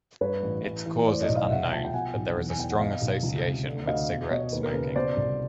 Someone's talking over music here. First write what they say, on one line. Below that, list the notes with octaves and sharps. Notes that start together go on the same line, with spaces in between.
Its cause is unknown, but there is a strong association with cigarette smoking.
G2 B4 C#5
A1
E3
E3
A2 C5 D5
C#5 D#5
B1
D#5 F5
C2 E5 F#5
F3 G5 A5
G5
B2 F#5 G#5
B1
E2
G#5
E2 G5
F#5
B2 D#5 F5
B1
C#2
C3
D3
D2 D#5 F5
B2
B2 C#5 D#5
D#2 B4
A#4
C#3 B4
B2 C5 D5
C2